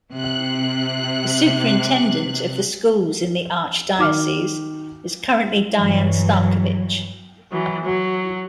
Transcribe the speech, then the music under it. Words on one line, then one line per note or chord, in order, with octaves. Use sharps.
The superintendent of the schools in the Archdiocese is currently Diane Starkovich.
C3 F#6
D#3 F#4 D6 F6
G2 E3 F#3
E3 F#3
F#3